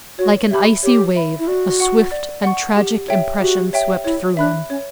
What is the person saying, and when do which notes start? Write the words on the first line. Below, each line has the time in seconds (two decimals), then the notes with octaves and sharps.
Like an icy wave, a swift and tragic impression swept through him.
0.18 F#4 C#5
0.51 G4 E5 B5
0.83 G4 C#5
1.15 E5 B5
1.39 E4
1.47 F#4 D5
1.80 F#5 C#6
2.12 D5
2.44 F#5 C#6
2.76 G4
3.08 C#5 E5 G5
3.41 F#4 G4
3.73 C#5 E5 G5
4.05 E4 C#5
4.37 D4 E5 B5 F#6
4.70 C#4 C#5